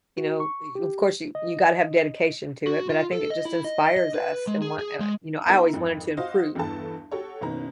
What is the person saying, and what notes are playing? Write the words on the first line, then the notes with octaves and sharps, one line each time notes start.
you know, y of course you you gotta have dedication to it, but I think it just inspires us and what, uh, you know, I always wanted to improve,
F#4
C#6
G4
D#5
F#4
F4
A4
D#5
E4
D#5
D#5
B4
G#3
G#4
G#4
G#3
B3 D#4 E4 A#4
G#1 F2
F4 F#4 C5 D#5 F5
G1 E2 G2 E3 A4 A5
F#4 G4 A4 C#5
F#1 B2 D#3 C#4 A#5